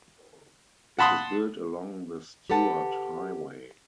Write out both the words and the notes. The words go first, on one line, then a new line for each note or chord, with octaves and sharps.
It is built along the Stuart Highway.
F#5 A5 B5 C6 D#6
G4 A4 B4 F#5 A5